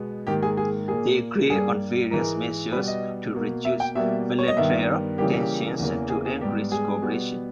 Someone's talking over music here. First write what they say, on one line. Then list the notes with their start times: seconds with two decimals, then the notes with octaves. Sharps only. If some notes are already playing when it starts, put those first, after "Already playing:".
They agreed on various measures to reduce bilateral tensions and to encourage cooperation.
Already playing: B2 G#3 B3
0.27 G#2 D#3 A#3 G4
0.42 G#4
0.57 G#4
0.88 A#2 A#3 G#4
1.50 G2 G3 A#3 G#4
2.11 G#2 E3 G#3 A#4
2.72 B2 G3 B3 B4
2.88 D#5
3.34 B2 A#3
3.65 E5
3.80 G5
3.95 B2 G3 A#3 E5
4.39 C#5
4.48 D#5
4.57 G2 D#3 G3 B3 E5
5.18 C#3 E3 G3 A#3 G4
5.33 G4
5.79 E2 C#3 E3 A#3
6.10 G#4
6.25 G#4
6.41 G#2 G3 B3 G4
6.72 G#4
7.02 B2 G3 B3